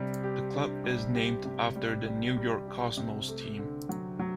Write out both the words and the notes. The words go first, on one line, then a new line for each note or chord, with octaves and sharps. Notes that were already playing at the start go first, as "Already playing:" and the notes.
The club is named after the New York Cosmos team.
Already playing: C3 G3
G4
D4
G3
G4
C3
G3
G3
G3
G4
C3
A3
D3
F#3
F#3